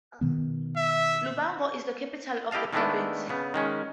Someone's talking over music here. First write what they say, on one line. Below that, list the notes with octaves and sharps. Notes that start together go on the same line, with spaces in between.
Lubango is the capital of the province.
B2 D#3 B3
E5
E4 G4 D#5 F5 A5
D#3 G#3 A3 B3 D4 E4
C#3 B3
D#3 G#3 C#4